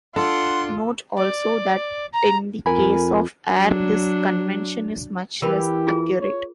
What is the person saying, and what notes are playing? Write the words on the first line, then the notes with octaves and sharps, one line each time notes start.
Note also, that in the case of air, this convention is much less accurate.
D4 F4 A4 F#5 C6
D5
A#5
F2 A#4 G#5 B5
F#3 D4
E2 E3 G4 A#4 B4 B5
F4 G#4
C#5